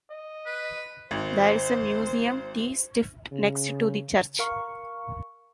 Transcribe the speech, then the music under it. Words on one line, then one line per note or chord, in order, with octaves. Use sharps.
There is a museum 't Stift next to the church.
D#5
B4
G#1 C5
C#3
A#4 F5 C#6